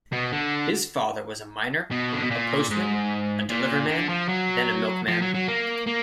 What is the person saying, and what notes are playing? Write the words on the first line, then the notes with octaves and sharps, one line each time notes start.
His father was a miner, a postman, a delivery man then a milkman.
B2
D3
B2
D3
B2
A#2
G#2
A#2
D3
F3
F#3
F3
F#3
F#3
A#3
A#3